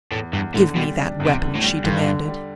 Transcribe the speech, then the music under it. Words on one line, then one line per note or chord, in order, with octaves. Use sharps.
"Give me that weapon!" she demanded.
E2 A2
E2 G2
A2 D3
B2 G3
D4
E2
C3
D3
A2
G3
G2 D3
D3
G3